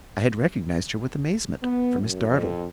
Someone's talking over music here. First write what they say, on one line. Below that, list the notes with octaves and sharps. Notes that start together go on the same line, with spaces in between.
I had recognized her with amazement, for Miss Dartle.
B3
F#2
F2